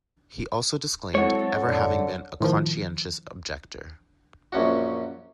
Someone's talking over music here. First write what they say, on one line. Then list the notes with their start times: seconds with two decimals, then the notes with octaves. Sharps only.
He also disclaimed ever having been a conscientious objector.
1.15 F#3 G#3 C4 E4 A4 C#5 F#5
1.67 F#2 D3
2.40 A2 D#3 F3
4.52 A#1 F#2 C#4 F#4